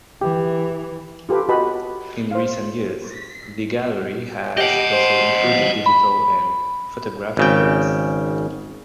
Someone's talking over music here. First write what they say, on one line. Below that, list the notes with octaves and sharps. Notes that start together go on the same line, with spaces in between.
In recent years the gallery has also included digital and photographic works.
E3 G4
F4 G4 A4 B4 F5
F#4 B4 D#5 G5 A5 B5
C5 F5
G4 D#5 F#5
C5
F3
B5
G#1 C#3 G5